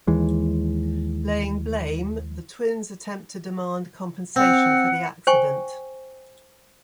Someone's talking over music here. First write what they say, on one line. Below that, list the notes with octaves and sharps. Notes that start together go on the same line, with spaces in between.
Laying blame, the twins attempt to demand compensation for the accident.
D#2 E3 G#3
C4 F#5
C5 G5 G#5 C#6